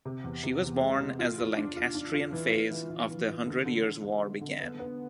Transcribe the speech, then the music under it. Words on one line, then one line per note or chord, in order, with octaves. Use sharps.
She was born as the Lancastrian phase of the Hundred Years War began.
C3
E2
C3
E2
G#3
C3
F4
F4
D4
F4
D4
F4
E3
E3
E3
E3
E3
E3
D3
D3
D3
G#3
D3
D3
B3
B3